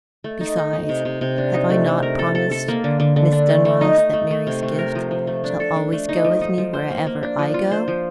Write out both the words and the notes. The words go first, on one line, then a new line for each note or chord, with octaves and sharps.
Besides, have I not promised Miss Dunross that Mary's gift shall always go with me wherever I go?
A3
D#4
D#4
D#4
C3
C3
C3
D4
D#4
A3
A3
A#4
A4
A4
A4
A#3
D3
D3
D3
D4
A3
A3
D#4
D#4
A3
A3
C3
A3
A#4
F3
F3
A3
D4
A4
D4
A3
D#4
F3
D#4
F3
C5
A#3
A#3
D4
F3
F4
C5
F3